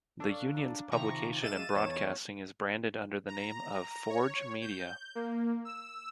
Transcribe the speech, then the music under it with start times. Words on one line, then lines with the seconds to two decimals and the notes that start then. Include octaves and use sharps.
The union's publication and broadcasting is branded under the name of Forge Media.
0.20 D4 A4 C#5 F5
0.54 D5 A5 A#5
0.92 C3 D#3 F3 A#5 C#6
1.42 G#3 E5 F5 A6 D#7 E7
1.75 E2 D#4 C#5 C#6
3.28 A#5
4.10 C#5
4.62 G6
5.15 A#3
5.65 E6